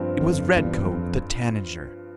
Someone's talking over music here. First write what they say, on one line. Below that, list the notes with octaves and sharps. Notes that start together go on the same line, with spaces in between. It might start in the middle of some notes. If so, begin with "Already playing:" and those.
It was Redcoat the Tanager.
Already playing: G2 F3 C4
F2
E2 G2
E2
F2